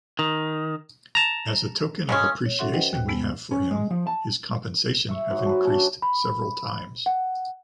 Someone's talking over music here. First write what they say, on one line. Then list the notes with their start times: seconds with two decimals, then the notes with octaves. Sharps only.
As a token of appreciation we have for him, his compensation have increased several times.
0.19 D#3
1.15 A5 A#5
2.09 C#3 G#3 C#4
2.45 C#5
2.59 C#4 F#4 A4 E5 F#5 C6
2.73 B4 C5 D#5 F#5 G5
2.93 D#2 G5 F#6
3.08 C3 G#3 B3
3.51 C#4
3.71 G#3
3.91 F3
4.07 A5
5.09 E5 C#6
5.30 G#2 F#3 F#4
5.46 B4 A5
5.65 C#4 D4 F#4 A5
6.02 B5
7.06 F#5